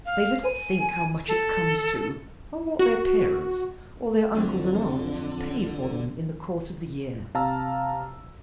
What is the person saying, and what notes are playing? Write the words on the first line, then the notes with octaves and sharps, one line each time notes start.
They little think how much it comes to, or what their parents, or their uncles and aunts, pay for them in the course of the year.
F5
G#5
A4
F#4
F2 D3 F#3 C4 D4
C3 F5 A5 A#5 E6